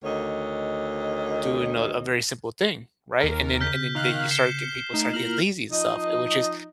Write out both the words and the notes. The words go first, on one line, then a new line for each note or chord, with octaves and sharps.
doing a a very simple thing, right? And then and then they you start getting people start getting lazy and stuff, eh, which is
D2 D#3 C#5 D#5
D#2 A#4
C#3 F6 G6 B6
D#3 F5 F#6
C7 C#7 E7 G7
A3 D#4 A#5
A#3 E4 F4 A#4 F6 F#7
F3 D#4 D#5